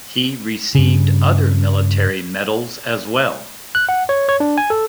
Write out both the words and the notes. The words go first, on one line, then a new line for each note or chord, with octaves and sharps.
He received other military medals as well.
G2 C#3
F#6
F#5
C#5
C#5
D4
G#5
A4